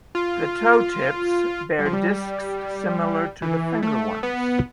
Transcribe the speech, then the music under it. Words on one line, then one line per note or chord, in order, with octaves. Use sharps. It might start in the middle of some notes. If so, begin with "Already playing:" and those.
The toe tips bear discs similar to the finger ones.
F4
G3
F3
G3
E3
A3
B3